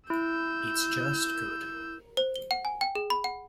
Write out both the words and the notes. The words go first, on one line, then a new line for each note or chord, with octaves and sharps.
It's just good.
E4 E6 G6
C5
G7
F#5
G#5
G5
G#4
B5
F#5